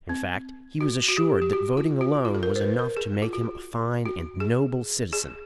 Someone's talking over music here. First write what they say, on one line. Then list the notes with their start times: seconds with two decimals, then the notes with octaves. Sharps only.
In fact, he was assured that voting alone was enough to make him a fine and noble citizen.
0.09 C4
0.81 F#4
1.08 F#4
1.17 G4
1.42 G4
1.53 F#4
1.77 F4
2.01 F#4
2.25 F4
2.35 A4
2.43 A#4
2.56 C5
2.61 B4
2.79 A#4
2.97 G#4
3.22 F4
3.33 F#4
4.06 F#4
4.40 G#4
5.13 G#4